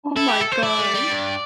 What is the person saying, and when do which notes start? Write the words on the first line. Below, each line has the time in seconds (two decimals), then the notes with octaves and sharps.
Oh my god.
0.16 E4 A4
0.28 G4
0.40 A4
0.52 C5
0.63 E4 D5
0.78 A3
0.95 G3
1.10 G2